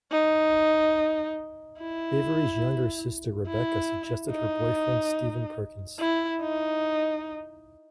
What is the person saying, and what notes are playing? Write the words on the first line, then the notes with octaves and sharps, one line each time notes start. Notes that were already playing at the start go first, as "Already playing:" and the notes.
Avery's younger sister Rebecca suggested her boyfriend Stephen Perkins.
D#4
E4
E4
D#4
E4
D#4